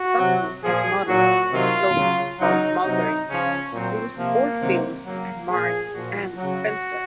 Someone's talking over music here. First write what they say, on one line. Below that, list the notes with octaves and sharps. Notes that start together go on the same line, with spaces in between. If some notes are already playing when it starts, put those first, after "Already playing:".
Bussell has modelled clothes for Mulberry, Bruce Oldfield and Marks and Spencer.
Already playing: F#4
C3 F#3
A#2 F3 G#4
A#2 F#3 F#4
C3 D#3 F#3 F4
C#3 F#3
C#3 F#3 D#4
C3 F#3 D#4
C#3 F3 C#4
A#2 F#3 C4
C3 F3 A#3
C3 D#3 F#3
C#3 F#3 A#3
A#2 F3 G#4
A#2 F3 F#4
C#3 F#3 F#4